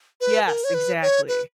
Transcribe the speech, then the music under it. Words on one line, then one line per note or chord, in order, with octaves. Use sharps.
Yes, exactly.
B4
A#4
C#5
B4
C#5
B4